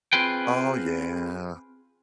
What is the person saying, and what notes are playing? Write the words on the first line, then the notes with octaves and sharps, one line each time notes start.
Oh yeah.
C4 F4 G#4 B4 G5